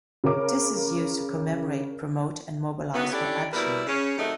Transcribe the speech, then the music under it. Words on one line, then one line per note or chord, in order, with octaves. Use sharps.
This is used to commemorate, promote and mobilize for action.
C#3 C#4 A#4 D6
F#2 D#3 F#3 B3
C#4 D4 E4 G4 A4 D5
B2 G3 A#3 E4 B4 D5
C#3 C#4
C3 D#3 F#3 A3 D#5 E5